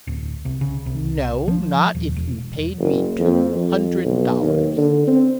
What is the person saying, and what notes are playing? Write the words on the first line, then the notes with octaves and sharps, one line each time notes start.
"No, not if you paid me two hundred dollars."
D1
C2
C#3
C2
F3
D#1
E1
F#1
F2
F2
B1
D#2
D3
C4